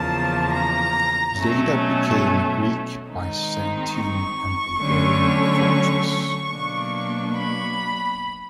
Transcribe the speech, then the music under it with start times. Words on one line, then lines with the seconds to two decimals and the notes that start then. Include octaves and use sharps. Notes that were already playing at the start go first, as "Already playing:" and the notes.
Later became a Greek-Byzantine and Bulgarian fortress.
Already playing: E2 C#3 F3 A#3 A5
0.53 A#5
1.38 B2 F#3 A3 C#4
3.10 D#3 G#3 C4 D#4
3.95 C#6
4.81 D3 F#3 A3 C#4
6.51 B2 F#3 A#3 D4
7.36 B5